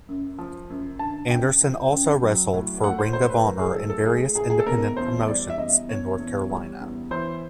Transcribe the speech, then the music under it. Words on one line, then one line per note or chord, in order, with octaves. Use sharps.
Anderson also wrestled for Ring of Honor and various independent promotions in North Carolina.
F#2
F3
F#2
D3 A5
F#2 G5
F3
F#2
F#3
A2
A3 F#5
C5
A2 C5
B4
F#3 A#4
G#4
A2 A4
A4
A3 G#4
A2 G#4
G#4
A4
B2 A#4
E2 C5
G3 D5
E5
E2 D#5
B2 C#5
E2
G3
E2
E3 C5